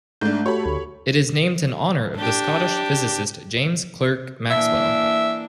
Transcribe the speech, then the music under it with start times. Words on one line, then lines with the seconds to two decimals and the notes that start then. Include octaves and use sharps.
It is named in honour of the Scottish physicist James Clerk Maxwell.
0.21 G#2 A3 D4 G6
0.46 F#4 G4 A4 C#5 B5
0.66 D2
2.16 D4 G4
4.50 E3 A#3 D4 E5